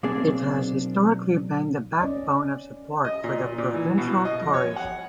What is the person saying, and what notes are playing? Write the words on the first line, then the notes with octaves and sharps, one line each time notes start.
It has historically been the backbone of support for the provincial Tories.
B1 A#3 C4 D4 G#4 D5
C#4 D5 D#5
D#5
A#2
A#2
A#2
E3
B2
D#5
F2
C#5
F#5